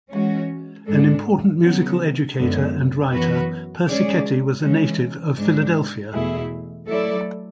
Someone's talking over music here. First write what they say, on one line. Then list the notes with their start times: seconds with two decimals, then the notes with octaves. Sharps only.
An important musical educator and writer, Persichetti was a native of Philadelphia.
0.10 E3 G#3 C#4 F#4
0.85 G#2 G#3 D4 A4
1.61 C#3 F#3 B3
2.36 F#2 D3 G#3 B3
3.11 F#2 E3 B3 F#4 B4
3.86 G#3 C#4 G#4 D5
4.61 E3 G#3 C#4
5.37 G#2 G#3 D4
6.12 E2 B2 A3 E4 G#4
6.87 F#3 A3 E4 A4 D5